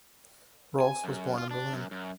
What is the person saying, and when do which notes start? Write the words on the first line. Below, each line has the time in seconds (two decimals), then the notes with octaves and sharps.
Rohlfs was born in Berlin.
0.80 G#5
1.04 F#2
1.38 F4
1.51 D4
1.73 F#2
1.91 F#2